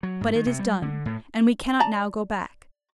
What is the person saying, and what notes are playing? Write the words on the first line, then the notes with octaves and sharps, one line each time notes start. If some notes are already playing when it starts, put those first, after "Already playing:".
But it is done, and we cannot now go back.
F#3
G#2
D#3
C3
G3
D3
A2
D5 A5 A#5